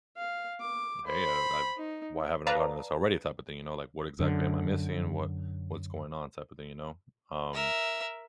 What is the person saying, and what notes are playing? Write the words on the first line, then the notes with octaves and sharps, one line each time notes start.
hey, I I've why haven't I gotten this already type of thing, you know? Like, what exactly am I missing? What what's going on type of thing, you know? Um
F5
D6
C5 B5
D#4
B4 D5 F5 A5 A#5
F#2 D3
A#4 E5